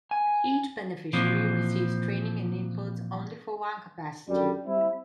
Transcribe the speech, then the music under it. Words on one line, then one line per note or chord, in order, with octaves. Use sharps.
Each beneficiary receives training and inputs only for one capacity.
G#5
A#2 E3 F3 C4
F#2 D3 G3
G3 C4 E4